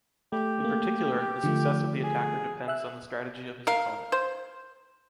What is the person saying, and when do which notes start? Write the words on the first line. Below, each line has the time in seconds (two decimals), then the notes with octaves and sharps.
In particular, the success of the attacker depends on the strategy of his opponent.
0.32 A3 G4
0.60 A3 A#3
1.43 D3 F3 A3
2.04 G#4
2.68 E5 E6 F#6
3.67 A#4 F5
4.12 C5